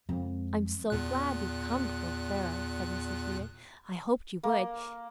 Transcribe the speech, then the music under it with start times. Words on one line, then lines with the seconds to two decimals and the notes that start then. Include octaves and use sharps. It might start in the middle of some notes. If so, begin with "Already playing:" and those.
'I'm so glad you've come before Clara,' said Mrs. Hewett. 'I hoped you would.
0.09 F2 G#3
0.90 E2 A#2 F#6
4.43 A#3